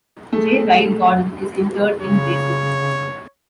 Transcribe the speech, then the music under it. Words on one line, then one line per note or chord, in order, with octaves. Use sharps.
J. Wright Gordon is interred in Brazil.
A3 G#4
C#3 C#5